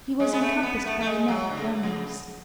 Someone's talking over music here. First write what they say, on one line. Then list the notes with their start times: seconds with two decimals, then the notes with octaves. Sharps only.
He was encompassed by a net of wonders.
0.20 G#3
0.32 B3
0.41 A3
0.63 B3
0.85 A3
1.01 A3
1.06 G#3
1.28 F#3
1.50 D3
1.57 C#3
1.65 D3
1.83 C#3